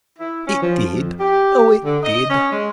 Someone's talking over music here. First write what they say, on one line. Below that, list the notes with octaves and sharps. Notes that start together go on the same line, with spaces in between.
It did, oh it did.
E4
C#4
F3
F2
G4
D3
D#5
C#4
G#3